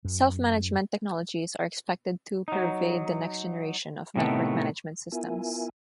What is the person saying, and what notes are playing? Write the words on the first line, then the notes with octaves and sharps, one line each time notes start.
Self-Management technologies are expected to pervade the next generation of network management systems.
F#2
F#3 D#4
A2 C3 D#3 A3 B3
B3 E4 F4 A#4 E5 G#5